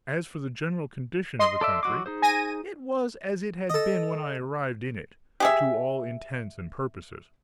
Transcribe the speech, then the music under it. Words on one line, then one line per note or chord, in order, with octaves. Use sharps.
As for the general condition of the country, it was as it had been when I arrived in it, to all intents and purposes.
D#5 C6
A4 D5 E5
F#3 F#4 D6
D#4 G#4 C5
G#5 A#6 D#7
A4 D#5
G4 G#4 E5